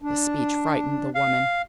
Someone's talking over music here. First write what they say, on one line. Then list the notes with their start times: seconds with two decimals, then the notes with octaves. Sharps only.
This speech frightened the woman.
0.02 D4
1.15 F5